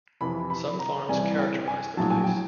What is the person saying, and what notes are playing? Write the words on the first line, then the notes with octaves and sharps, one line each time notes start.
Some farms characterize the place.
F2 C3 E3 B5
B5
A#5
C2 C3 E3 G3 G#5
G5
G#5
A#1 A2 F#3 A5
G#5
G5